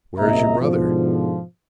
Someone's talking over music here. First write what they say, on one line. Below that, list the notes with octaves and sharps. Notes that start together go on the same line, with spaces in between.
"Where is your brother?"
C2 A#2 C#3 D#5 E5 A#5
G#2 B2 D3 F3